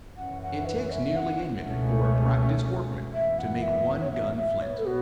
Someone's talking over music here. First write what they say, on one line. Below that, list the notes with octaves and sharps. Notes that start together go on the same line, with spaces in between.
It takes nearly a minute for a practised workman to make one gun-flint.
F#2 E3 C#4 F#5
F#5
B4
E5
F#5
C#2 B2 A3 C#4
F#2 E3 B3 E5
F#5
E5
C#5
E5
E5
B2 B3 C#5
A4
F#4